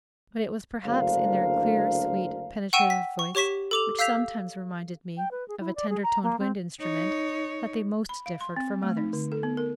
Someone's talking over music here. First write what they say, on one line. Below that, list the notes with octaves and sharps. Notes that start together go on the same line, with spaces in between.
But it was perhaps in their clear, sweet, penetrative voice, which sometimes reminded me of a tender-toned wind instrument, that they most differed from others.
F#1 D2 D4 A#4 C5 F5
F#5 G5 C#6 E6 D#7 E7
B6
C#6
G4 C#5 C#6 B6 E7
A4 D6 F7
F5 E6 G6 B6 F7
G5
B4
G#4
E4
D5
G#4
A#5
A#3
C4
D#4 C#5
B5
F5
C6
C4
A3
D#4
D3
A4
B3
A#4